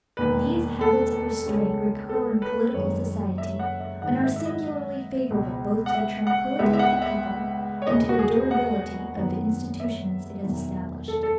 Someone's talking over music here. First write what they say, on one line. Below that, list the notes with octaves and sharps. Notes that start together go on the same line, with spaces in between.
These habits of restraint recur in political society, and are singularly favorable both to the tranquillity of the people and to the durability of the institutions it has established.
E1 D#2 D#3 B4
A4
C#2 C#3 G#3 C#4
A4
B4
F#1 F#2 D#3 G#3 C#5
E5
F#5
E5
G#1 G#2 D#3 F#5
E5
E5
D#5
C#2 B2 G#3
F#5
E5
F#5
C#2 C#3 G#3 B3 E5
E5
F#5
E5
C#5
E1 D#2 C#3 E3 B3 D#5
F#4
G#4
F#5
F#2 D#3 F#3 B3
E5
E1 E2 D#3 F#3
A4
A4